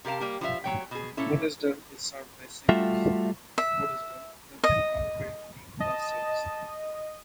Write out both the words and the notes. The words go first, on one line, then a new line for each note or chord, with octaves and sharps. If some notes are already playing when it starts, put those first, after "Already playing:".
Botesdale is served by Simonds of Botesdale Limited's Country Link bus service.
C3 G4 A#4 F5 A5
G3 A#3 G4
F3 D#4 F4 E5 F5
F#3 C#5 G5
B2 G#4
A#2 C#4 E4 A4
G3 A3 F4 F#4 E5
E5
D#5
D#5 A5